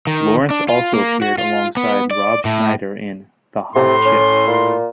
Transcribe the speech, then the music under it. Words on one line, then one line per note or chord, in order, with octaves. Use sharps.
Lawrence also appeared alongside Rob Schneider in "The Hot Chick".
D#3
D4
F4
A#3
F#4
F4
B3
D5
A2
A2 C3 C6
C#4
A#2